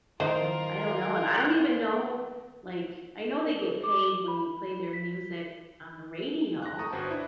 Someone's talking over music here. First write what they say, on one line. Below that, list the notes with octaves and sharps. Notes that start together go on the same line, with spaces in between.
you know, I don't know and I don't even know like I know they get paid when you play their music on the radio
D#3 E3 D#4 F4 A#4 C5
A#4
D6
B5
B6
F#6 A#6
G5 A5 A#5 C#6 D#6
G1 C#4 F#4 B4 C5
D4 E4 E5